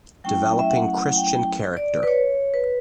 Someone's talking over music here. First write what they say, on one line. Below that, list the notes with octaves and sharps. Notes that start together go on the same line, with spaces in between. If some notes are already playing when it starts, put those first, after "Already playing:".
Developing Christian Character.
F#3 A3 C#4 E4 G5
E5
F#5
G5
D5
B4
C#5
B4